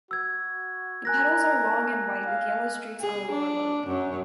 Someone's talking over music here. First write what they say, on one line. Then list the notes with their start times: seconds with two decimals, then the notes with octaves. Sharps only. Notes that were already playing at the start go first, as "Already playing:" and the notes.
The petals are long and white with yellow streaks on the lower lobe.
0.11 F#4 E6 G#6
1.05 A#4 G#5 F#6 A#6
2.26 F5
3.01 G#4
3.32 D4
3.87 F#2